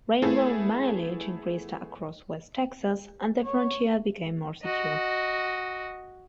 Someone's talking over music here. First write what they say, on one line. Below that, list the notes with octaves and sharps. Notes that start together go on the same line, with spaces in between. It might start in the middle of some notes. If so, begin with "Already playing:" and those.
Railroad mileage increased across West Texas, and the frontier became more secure.
A3 B3 E4 G#4 A4
C#5
F#4 D#5